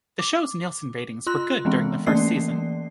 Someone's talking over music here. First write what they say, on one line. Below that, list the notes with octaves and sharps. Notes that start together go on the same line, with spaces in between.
The show's Nielsen ratings were good during the first season.
D6
F4 C6 F#6
E3 G#3 B3 C4
E3 A3 A#3 C#4 D5 C7